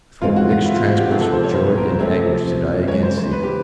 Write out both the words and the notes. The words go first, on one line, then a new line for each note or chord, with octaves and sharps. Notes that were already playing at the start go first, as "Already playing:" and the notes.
With what mixed transports of joy and anguish did I again see her!
C#3 E3 G#3 C4 D#4 F4
F#4
F4
E4
F4
F#4
G4
C3 F3 A#3 C#4 F4 F#4
A4
C5
C#5
C5
B4
A#4
C5
C3 F3 A3 C#4 C#5
C#3 E3 G#3 C#5
C5
C5
B4
G4